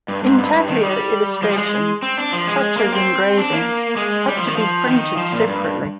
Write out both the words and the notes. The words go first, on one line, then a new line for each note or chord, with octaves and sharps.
Intaglio illustrations, such as engravings, had to be printed separately.
G2
G#2
G2
G2
D#3
G3
F3
G3
G#3
C4
D4
F3
G#3
A#3
C4
D4
A#3
G#3
G3
F3
D#3
F3
D#3
F3
A#2
G2